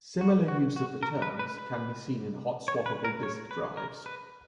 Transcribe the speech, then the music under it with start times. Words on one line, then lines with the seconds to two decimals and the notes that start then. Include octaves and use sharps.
Similar use of the terms can be seen in hot-swappable disk drives.
0.21 F#4
0.48 F#4
0.76 F#4
1.03 A#4
1.22 B4
1.39 B4
1.58 B4
2.68 C#5
2.86 B4
3.05 A#4
3.23 C#5
3.51 B4
3.77 A#4
4.06 B4